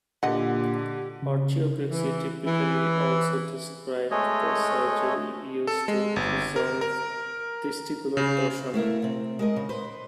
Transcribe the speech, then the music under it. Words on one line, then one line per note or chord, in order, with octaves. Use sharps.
Orchiopexy typically also describes the surgery used to resolve testicular torsion.
A#2 D3 G4 D#5 F#5
C#3
E3
E3
G#3 A3 C#5 D#5
A4
G#3
G1
A#4
A#4
C#3
A3 E4 A#4 F5
C3 C4
G#3 A#4 D#5
C#3
B4 C5